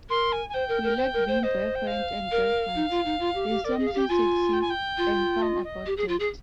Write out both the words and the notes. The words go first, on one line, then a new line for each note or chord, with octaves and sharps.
We like being boyfriend and girlfriend; there's something sexy and fun about that.
A#4 C6
G#5
G#5
C5 G5
A#4
A#4
C5
A#4
C5
C5 D#5
G5
F5
A#4
D#4
F4
D#4
F4
G4
G4
A#4 D5
G#4 D#5
F5
G4 G5
F4 G#5
G5
G#5
G5
F4
D#5
D#5
G4
G#4
F4
G#4